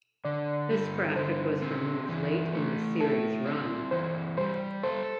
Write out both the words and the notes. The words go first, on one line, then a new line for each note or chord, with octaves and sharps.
This graphic was removed late in the series's run.
D3 D5
G3
A4
D3 C5
C4
E3
A3
E4 A4
C4
E3 C5
G3 C5
A4 C5